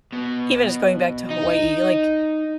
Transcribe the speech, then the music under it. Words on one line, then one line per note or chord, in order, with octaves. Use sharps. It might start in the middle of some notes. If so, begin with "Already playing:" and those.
even just going back to Hawaii, like,
B2
D#4